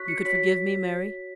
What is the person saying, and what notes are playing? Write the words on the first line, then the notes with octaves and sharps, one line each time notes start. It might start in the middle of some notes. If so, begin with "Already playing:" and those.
"You could forgive me, Mary?"
Already playing: F#4 C#5 C#6 F#6 B6
C#7
F#4 C#5 B6